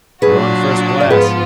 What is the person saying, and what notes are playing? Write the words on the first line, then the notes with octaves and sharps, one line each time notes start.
"You're on first-class."
A#2 F#3 D4 F#4 G#4 B4
D5
G#2 F3 B3 F4 G#4 B4